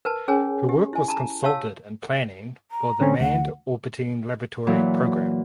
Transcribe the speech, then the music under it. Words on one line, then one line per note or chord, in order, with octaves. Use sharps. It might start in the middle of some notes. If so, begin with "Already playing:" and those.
Her work was consulted in planning for the Manned Orbiting Laboratory Program.
A#4 B4 A5
C#4 G#4 A#4 C#5 G#5
G4
E4 G#5
A5 A#5
G4 C#5 F5 A5 E6
A#5
D3 C4 C#4
D2 F#5
A#2 E3 F#3